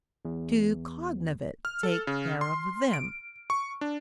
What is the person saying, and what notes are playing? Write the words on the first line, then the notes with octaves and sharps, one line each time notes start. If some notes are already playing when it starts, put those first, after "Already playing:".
Two cognovits--take care of them.
E2
F6
A4
C#3
C6
D7
C#6
D4